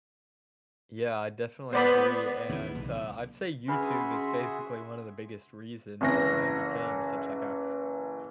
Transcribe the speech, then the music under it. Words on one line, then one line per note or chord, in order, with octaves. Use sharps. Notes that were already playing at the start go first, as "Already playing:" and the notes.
Yeah, I definitely agree, and, t uh, I'd say YouTube is basically one of the biggest reasons that I became such, like, a
B3 C5 D5 B5
D#2 C#3 E3
B1
C#3 D4 F#4 G#4 B4 E5 B5 C6
F#1 E3 A#6